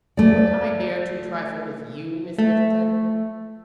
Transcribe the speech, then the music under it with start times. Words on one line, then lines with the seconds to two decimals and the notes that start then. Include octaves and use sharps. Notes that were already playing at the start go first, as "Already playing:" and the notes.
"Would I dare to trifle with you, Miss Middleton?"
0.17 A3 D5
2.38 A3